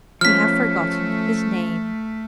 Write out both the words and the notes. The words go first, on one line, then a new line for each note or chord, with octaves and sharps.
We have forgotten his name.
F3 A3 C#4 F6 B6